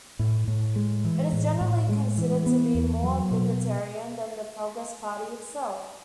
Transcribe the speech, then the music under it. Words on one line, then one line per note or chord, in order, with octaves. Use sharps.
It is generally considered to be more libertarian than the Progress Party itself.
A2
A2
G#3
E3
A2
A2
G#3
E3
B3
E2
F#3
B2